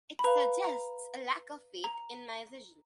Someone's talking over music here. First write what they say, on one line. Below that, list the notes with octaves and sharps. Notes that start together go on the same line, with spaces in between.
It suggests a lack of faith in my vision.
B5
B4 F5 A#5
A#5
A#5